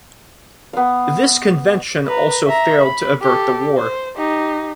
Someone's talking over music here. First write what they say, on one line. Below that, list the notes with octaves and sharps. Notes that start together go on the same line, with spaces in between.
This convention also failed to avert the war.
B3 F5
B4 A#5
E5 A#5
B5
G4 A4
C5
D#4 G4